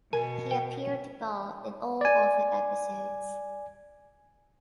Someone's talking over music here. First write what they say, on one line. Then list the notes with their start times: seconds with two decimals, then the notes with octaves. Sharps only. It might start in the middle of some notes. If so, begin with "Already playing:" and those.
He appeared bald in all other episodes.
0.13 B2 A#4 G#5
0.51 G5
2.01 D5 G#5